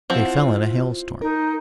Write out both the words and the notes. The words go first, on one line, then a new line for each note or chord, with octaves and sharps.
They fell in a hailstorm.
F3 C4 E4 F#5
D#4 A#4